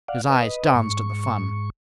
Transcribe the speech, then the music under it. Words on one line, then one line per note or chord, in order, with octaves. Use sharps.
His eyes danced at the fun.
D5 F5 F#5
B4 D#5
G#2 C#6